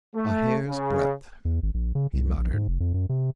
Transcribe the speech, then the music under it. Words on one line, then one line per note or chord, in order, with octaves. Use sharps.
"A hair's-breadth," he muttered.
A3
C#3
E2
G#1
A#1
C#3
C2
A#1
G#2
F1
F2
F#2
C3